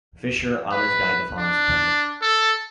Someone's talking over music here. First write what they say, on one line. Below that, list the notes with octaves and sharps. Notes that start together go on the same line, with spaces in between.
Fisher Ames died the following September.
B4
D4
A4